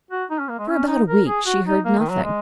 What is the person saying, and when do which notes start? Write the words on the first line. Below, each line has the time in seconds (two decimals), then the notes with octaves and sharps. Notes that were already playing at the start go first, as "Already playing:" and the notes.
For about a week she heard nothing.
0.11 F#4
0.30 D#4
0.39 C#4
0.49 A#3
0.59 G#3
0.69 C#4
0.87 D#4
1.08 A#4
1.27 G#4
1.46 F#4
1.66 D#4
1.85 A#3
1.99 D#3
2.11 F#3
2.24 G#3